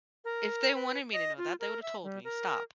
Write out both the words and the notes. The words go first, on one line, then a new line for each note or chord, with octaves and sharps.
If they wanted me to know that, they would have told me, stop."
A#4
B4
D#5
F4
A#4
E5
G3
A#4